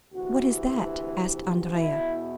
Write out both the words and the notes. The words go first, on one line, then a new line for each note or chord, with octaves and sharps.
"What is that?" asked Andrea.
D2 C3 E3 F#4
E2 B2 E4